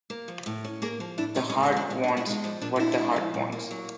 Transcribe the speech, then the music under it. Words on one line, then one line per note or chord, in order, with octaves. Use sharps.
The heart wants, what the heart wants.
A#3
F3
A2
C#4
A#3 G#4 A#4
F3
A2 D4 E4
A#2 C#4 D#4
C#4 D#4
G#3
C#4
F3 D4
A#2 C#4
D4
A#2
D4 E4
G#3 D#4 F4
F3 D4
A#2 D4
F4
A#2 D4 E4
G#3
F3
A#2
A#3
F#3